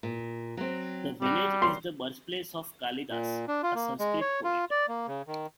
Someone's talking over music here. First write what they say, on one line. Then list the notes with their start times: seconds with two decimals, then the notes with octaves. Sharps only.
The village is the birthplace of Kalidas, a Sanskrit poet.
0.03 A#2
0.57 F#3 C4
1.22 G3 F#4 D5
1.62 C6
3.10 A#2
3.48 D4
3.63 F4
3.75 A#3
3.99 G#3
4.21 C#5
4.44 F4
4.71 D5
4.88 A#3
5.07 C#3
5.27 D#3